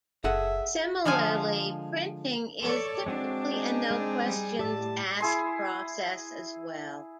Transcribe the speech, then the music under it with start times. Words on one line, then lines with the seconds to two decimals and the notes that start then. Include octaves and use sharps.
Similarly, printing is typically a 'no questions asked' process, as well.
0.24 F#1 G#4 A4 E5 F#5
1.05 D3 F3 G#3 F4 G#5
2.61 A4 C#5 D5
3.06 G#3 C4 D4 F#4
3.51 D#4 G#4
3.91 G#3 C4
4.23 G3
4.59 A2 G4 D5 A5 E6
5.20 E4 G#4 C6